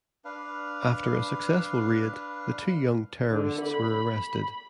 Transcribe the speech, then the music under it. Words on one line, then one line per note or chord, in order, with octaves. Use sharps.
After a successful raid, the two young terrorists were arrested.
D4 B4 F5
D3
B5